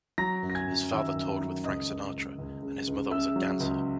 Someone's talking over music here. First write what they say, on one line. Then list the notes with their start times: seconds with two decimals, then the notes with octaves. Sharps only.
His father toured with Frank Sinatra and his mother was a dancer.
0.18 F#3 A#5 A#6
0.43 F#2
0.50 A#6
0.55 G#5 G#6
0.67 F#2
0.91 D#3 E5 E6
1.16 F#2
1.40 F#3
1.64 C#2 D#5 D#6
1.89 C#2
2.13 C#2
2.38 C#2
2.63 C#3
2.87 C#2
3.11 C#3 E5 E6
3.36 F#3
3.60 C#2